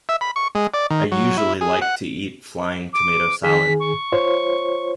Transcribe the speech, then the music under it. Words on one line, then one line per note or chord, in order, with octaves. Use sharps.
I usually like to eat flying tomato salad.
E5
B5
C#6
G#3
D5
D#3
F#3
E4
G#4
F#5
D6
D#3 G#4 B6
C#6
F4 C5 C#5